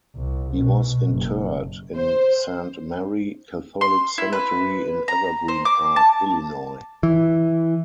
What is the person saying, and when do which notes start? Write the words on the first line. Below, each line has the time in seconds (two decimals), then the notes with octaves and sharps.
He was interred in Saint Mary Catholic Cemetery in Evergreen Park, Illinois.
0.15 C2
0.54 B2
1.11 F#1
1.95 C5
3.81 C6
4.18 E4
4.33 B4
5.08 A#5
5.48 C5
5.65 D6
5.96 A5
7.03 E3